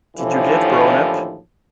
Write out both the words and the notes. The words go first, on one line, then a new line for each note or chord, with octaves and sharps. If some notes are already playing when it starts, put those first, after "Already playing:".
Did you get blown up?
D#2 A2 D3 E3 F3